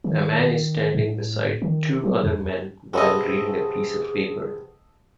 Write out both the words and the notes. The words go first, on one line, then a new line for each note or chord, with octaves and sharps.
A man is standing beside two other men while reading a piece of paper.
D#3
A2
D#3
F#3
F2
C3 B3 C4 F#4 G#4 A4 D#5